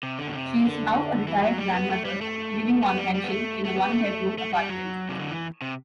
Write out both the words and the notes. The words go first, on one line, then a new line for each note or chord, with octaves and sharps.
She is now a retired grandmother living on pension in a one bedroom apartment.
C3
D3
B2
C3
D3
E3
F#3
G3
B3
A3
G3
A3
B3
G3
G3
B3
A3
A3
B3
A3
A3
G3
F#3
C3
D3
E3
C3